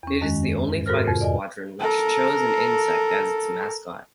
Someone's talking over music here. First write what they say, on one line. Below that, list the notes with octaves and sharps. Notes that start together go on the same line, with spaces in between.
It is the only fighter squadron which chose an insect as its mascot.
E2 C#4
F#2 D#3 G#3
G#2
G#2 F#4 A4 A#4 C5 F6
F2 C3
D5 D#5 G#5
A4 A#4